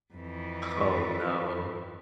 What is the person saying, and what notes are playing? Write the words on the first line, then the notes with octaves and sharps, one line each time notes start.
Oh, no.
F2 E3